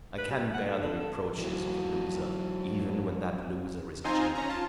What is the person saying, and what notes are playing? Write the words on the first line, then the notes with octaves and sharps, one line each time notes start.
I can bear the reproaches of a loser, even when that loser is a Jew.
B4
G3
F#5
D3
D3
A4
E3 F#3
C4 D#4 F4 C5 G#5 A#5
C#4 A#5
F4 A5